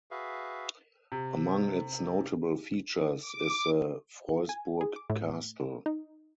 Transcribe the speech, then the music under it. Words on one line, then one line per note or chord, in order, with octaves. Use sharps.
Among its notable features is the Freusburg castle.
F#4 G#4 B4 E5 F5
C3
D6
G#5
G#4
D6
A2
D#4